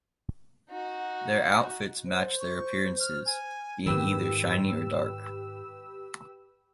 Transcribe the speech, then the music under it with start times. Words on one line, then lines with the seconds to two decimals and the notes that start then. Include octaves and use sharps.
Their outfits matched their appearances, being either shiny or dark.
0.70 D#4 F#4
2.06 C5
2.40 C#6
3.00 F6
3.26 G#5
3.86 G#2 D#3 G4 B4 E6